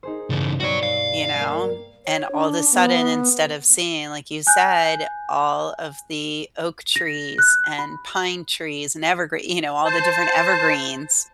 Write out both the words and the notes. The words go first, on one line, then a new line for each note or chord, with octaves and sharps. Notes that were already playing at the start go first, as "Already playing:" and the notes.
you know? And all the sudden, instead of seeing, like you said, all of the oak trees and pine trees and evergree you know, all the different evergreens.
D#4 G#4 C5
G2 C#3 E3 A6
B2 G3 F#4 C#5 D5
F5
G3 A#3
C#5
D4
B3
G#5 F#6 G6
A#6
F#6
B5
C5 A5